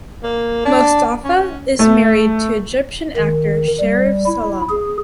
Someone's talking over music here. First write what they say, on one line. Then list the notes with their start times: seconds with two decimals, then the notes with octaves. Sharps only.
Mostafa is married to Egyptian actor Sherif Salama.
0.23 A#3
0.65 D4
1.24 C#4
1.79 A3
3.17 D#3
3.80 G3
4.26 E4
4.69 G#4